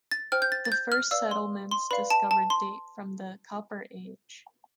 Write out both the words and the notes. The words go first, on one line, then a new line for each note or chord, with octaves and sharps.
The first settlements discovered date from the Copper Age.
A6
C5 G5 F6
G6
A6
A6
G6
F6
B4 D5 F5 E6
C6
C6
B4 D5 F5 B5
A5
A5
C6